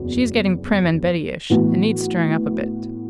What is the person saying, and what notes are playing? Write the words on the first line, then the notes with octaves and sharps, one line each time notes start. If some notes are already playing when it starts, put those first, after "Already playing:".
She is getting prim and Bettyish, and needs stirring up a bit.
Already playing: F#1 E2 F#3
A2 E3 B3 F#4